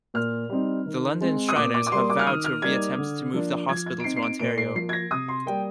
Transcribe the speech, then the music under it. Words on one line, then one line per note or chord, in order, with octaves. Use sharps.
The London Shriners have vowed to re-attempt to move the hospital to Ontario.
A#2 F6
G3 C4 D#4
D#3
G#3 C4
D#6
A#2 D6
D6
D6
G3 A#3 C6
D6
F6
D#3 D#6
F6
G3 A#3 D#4 G#6
D3
F3 A#3 D4
F3 G#6
G#6
D7
C4 D#4 C7
C7
D7
A#2 D7
C7
F3 A#3 C7
G#6
A#6
C3 D#6
C6
G3 A#3 G5